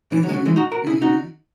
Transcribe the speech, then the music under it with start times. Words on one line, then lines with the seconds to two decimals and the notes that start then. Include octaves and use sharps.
Mhm, mhm.
0.12 E3
0.23 F#3
0.29 G#3
0.34 F#3
0.45 E3 G#3
0.56 D#4 F#4
0.71 F#4 A#4
0.87 E4 G#4
1.02 D#4 F#4